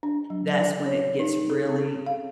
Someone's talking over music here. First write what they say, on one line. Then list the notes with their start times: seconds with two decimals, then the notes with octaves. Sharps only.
that's when it gets really
0.03 D4
0.30 F#3
0.54 D5
0.86 C#5
1.20 D#4
1.50 A4
1.69 C4
2.06 F5